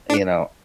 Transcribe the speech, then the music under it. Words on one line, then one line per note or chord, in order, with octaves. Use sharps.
you know,
D4